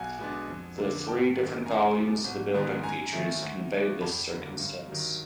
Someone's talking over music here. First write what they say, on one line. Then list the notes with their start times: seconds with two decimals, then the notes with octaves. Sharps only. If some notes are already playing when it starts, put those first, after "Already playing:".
The three different volumes the building features convey this circumstance.
Already playing: B1 F#5 G#5
0.18 B2 G#3 B3 D4
0.48 F2
0.77 D3 F#3 A#3 D4
1.07 G#1 G5 A5
1.36 F#2 D#3 F#3 A#3
1.66 C#2 G#5 A#5
1.95 B2 G3
2.24 G#1
2.54 G#2 D#3 G#3 B3
2.83 F#2 G#5 A#5
3.13 D#3 F#3 A3
3.42 D2
3.72 C#3 F#3 B3 D4
4.01 F1 A5 B5
4.30 D#2 D3 F#3 A#3
4.60 G2
4.89 D#3 F#3